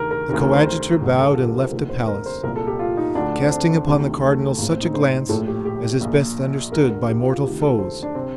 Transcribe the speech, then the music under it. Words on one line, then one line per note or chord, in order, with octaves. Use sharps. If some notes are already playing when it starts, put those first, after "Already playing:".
The coadjutor bowed and left the palace, casting upon the cardinal such a glance as is best understood by mortal foes.
Already playing: D2 C3 D#3 A#4
A#4
D2 C3 D#3 A#4
A#4
C5
C5
A1 G2 D3
A4
F4
G4
A#4
C5
F1 D#2 D3 A#4
C5
A#4
C5
C2 A#2 A#4
A4
G4
F4
D#4
D2 D3 D4
C4
D4
D2 C3 D#3
A3
A1 A2 A#3
C4
D#4
C5
A#1 A2 A4
G4
G4
A#1 A#2
D2 D3 A#4
A#4
G4
F4
F4
D2 C3 D#3 G4
A4
C5
D4
C3 C4